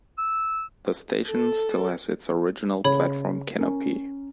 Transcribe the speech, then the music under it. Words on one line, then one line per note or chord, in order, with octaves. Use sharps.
The station still has its original platform canopy.
E6
A4
C#3 C#5 B5
C#4 A#4